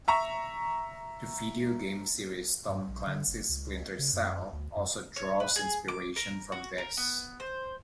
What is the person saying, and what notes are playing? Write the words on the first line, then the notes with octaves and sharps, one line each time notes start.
The video game series "Tom Clancy's Splinter Cell" also draws inspiration from this.
E5 A#5 C#6
G2
A#1
D3
F#1
C#2
C#3
F#2
D2
F#2
C#5
B4
G#4
D6
A#4
F#4
A#4
B3
C5